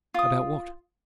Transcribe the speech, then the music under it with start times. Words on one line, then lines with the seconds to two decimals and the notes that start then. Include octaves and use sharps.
"About what?"
0.14 F4 D#6